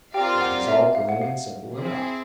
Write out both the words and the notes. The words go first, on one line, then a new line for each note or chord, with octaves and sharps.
That is all plain and simple enough.
C4 F4 G4 A#4 D5 F5 G5
F#5
E5
F5
F#5
F5
C4 E4 G#4